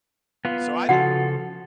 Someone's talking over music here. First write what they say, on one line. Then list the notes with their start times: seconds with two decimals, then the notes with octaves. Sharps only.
So, I don't
0.45 B3 F4
0.89 C#3 F3 F#4 A4 F#5